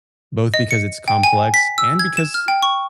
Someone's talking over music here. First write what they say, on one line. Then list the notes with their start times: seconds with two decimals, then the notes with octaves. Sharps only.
both because it's complex and because
0.54 D#5
0.71 C#7
1.08 G5
1.23 G#5
1.54 B6
1.78 E6
1.99 G#6
2.17 E7
2.34 F6
2.48 G5
2.62 C#6